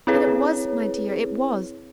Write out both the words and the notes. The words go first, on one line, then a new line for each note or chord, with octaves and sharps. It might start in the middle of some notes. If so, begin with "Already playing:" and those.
'And it was, my dear, it was!
C4 E4 G#4 B4 C#5